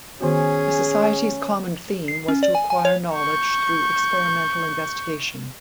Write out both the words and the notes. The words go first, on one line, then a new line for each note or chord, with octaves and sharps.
The society's common theme was to acquire knowledge through experimental investigation.
D#3 B3 C#4 F#4 G#4
C7
C#4
D5
G#5
G#5
C#5
C#6 G6